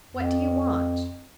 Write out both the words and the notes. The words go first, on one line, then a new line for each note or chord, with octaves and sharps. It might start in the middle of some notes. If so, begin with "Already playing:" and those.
"What do you want?"
F2